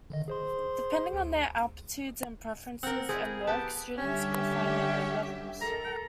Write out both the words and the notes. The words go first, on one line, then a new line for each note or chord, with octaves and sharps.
Depending on their aptitudes and preferences and work, students could find their own levels.
D3 D#3 D#5
G#4 C5 C6
D2
C4 A#4 F#5
C4 E4 G#4
B3 G4 A5
D3 G3 C#4 G4 E5
A4 A#4 A#5